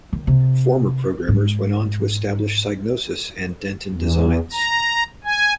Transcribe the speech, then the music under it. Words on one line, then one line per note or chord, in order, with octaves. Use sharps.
Former programmers went on to establish Psygnosis and Denton Designs.
D#3
C3
G#2
E2
A#5
G#5